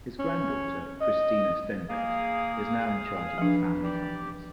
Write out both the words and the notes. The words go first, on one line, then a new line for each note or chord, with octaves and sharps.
His granddaughter, Cristina Stenbeck is now in charge of the family companies.
C#4
D#5
A#3 G#4 F5 D#6
E3 F3 D4
G4 D5